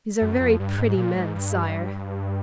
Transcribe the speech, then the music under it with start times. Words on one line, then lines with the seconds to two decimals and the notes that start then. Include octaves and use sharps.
These are very pretty men, Sire.
0.21 F#2
0.40 F2
0.59 G2
0.78 G#2
0.97 A#2
1.16 G#2
1.35 G2